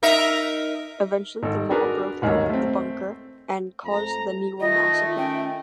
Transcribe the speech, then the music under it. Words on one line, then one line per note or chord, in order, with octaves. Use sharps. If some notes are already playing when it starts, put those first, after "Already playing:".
Eventually the Maw broke out of the bunker and caused the Niwa Massacre.
D#4 A#4 E5
G#1 A4
D4 F#4 G#4 A#4 B4
A1 D#2 G#2 D#3 C#5
A3 C4
F2 A3 A#5
D#3 A3 F4 D#5
C#4 G5